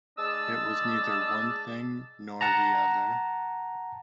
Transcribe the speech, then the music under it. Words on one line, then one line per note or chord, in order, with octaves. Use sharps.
It was neither one thing nor the other.
G#3 D4 A5 D#6 E6
F#5 A5 A#5